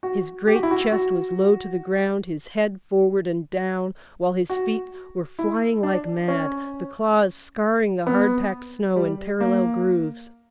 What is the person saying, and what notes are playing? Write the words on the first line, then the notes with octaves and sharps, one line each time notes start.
His great chest was low to the ground, his head forward and down, while his feet were flying like mad, the claws scarring the hard-packed snow in parallel grooves.
F#4
G4
F#4
E4
F#4
F#4
F#4
E4
D4
C#4
B3
G3
A#3